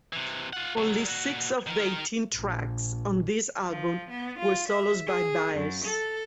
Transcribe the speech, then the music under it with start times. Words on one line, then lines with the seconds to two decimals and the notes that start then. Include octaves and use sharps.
Only six of the eighteen tracks on this album were solos by Baez.
0.13 C3 E3
0.53 F4 F#5
0.77 C#2 F#3
1.04 A#2 F#4
1.67 D#3 A#4
2.35 A#1
3.70 F3
4.10 B3
4.39 F4
4.69 E5
5.07 G#4
5.54 F#2
5.85 A4